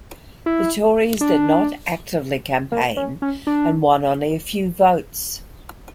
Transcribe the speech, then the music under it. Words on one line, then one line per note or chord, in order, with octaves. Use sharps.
The Tories did not actively campaign and won only a few votes.
E4
D4
A#3
C#4
C#4
D4